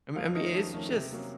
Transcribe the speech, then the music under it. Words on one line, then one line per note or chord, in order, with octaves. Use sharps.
I me I mean, it's just
F2 F5
D#3 A3 C#4 D#5
F2
D#3 A3 C#4
C3
F#3 A#3 C#4